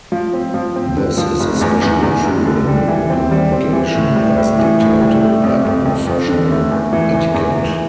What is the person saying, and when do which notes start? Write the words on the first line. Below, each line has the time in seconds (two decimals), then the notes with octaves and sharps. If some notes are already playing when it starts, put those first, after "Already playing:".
This is especially true in written communication, as dictated by professional etiquette.
0.12 F3
0.34 C4
0.54 F3
0.76 C4
0.97 D3
1.18 F3
1.40 F1
1.61 E2
1.81 E2
2.03 E2
2.25 F1
2.45 D3
2.67 G3
2.88 E3
3.10 C4
3.31 G3
3.52 C4
3.73 E3
3.94 A2
4.16 G3
4.36 A2
4.59 E3
4.80 A2
5.00 G3
5.22 A3
5.44 F2
5.65 F2
5.85 F2
6.07 F2
6.28 D3
6.50 A3
6.71 E2
6.93 E3
7.13 E2
7.34 E2
7.56 E3